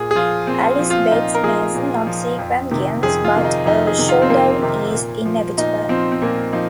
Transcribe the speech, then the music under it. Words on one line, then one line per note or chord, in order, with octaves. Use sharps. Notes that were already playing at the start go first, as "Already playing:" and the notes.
Alice begs Mason not seek vengeance, but a showdown is inevitable.
Already playing: A#2 G#4
G#4
F3 F4
A#2 C4
F3
F4
A#2 D#4
A#4
F3 G#4
A#2
F3
F2
C3 D#3
F2 G#4
F4
C3 D#3
D#4
F2 D#4
G#4
C3 D#3
F4
C4
F2 A#3
C3 D#3
A#2
F3
A#2 D#4
F3 C4
C4
A#2 A#3
F3 D#4